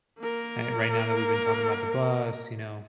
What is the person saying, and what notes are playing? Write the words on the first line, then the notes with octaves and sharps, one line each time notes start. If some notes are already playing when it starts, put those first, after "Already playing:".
eh, right now that we've been talking about the bus, you know,
A#3 A#4